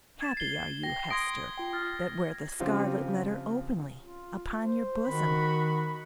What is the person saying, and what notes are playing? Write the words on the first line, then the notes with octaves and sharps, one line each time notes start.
Happy are you, Hester, that wear the scarlet letter openly upon your bosom!
G#6 A6 E7
C7 G7
G5 A#6
C6 D#6 G#6 A#6 D7
F4 G5
D#6 F6 A6
C#3 F3 C4 F4 G4
F4
C5
D#3 F#4 B5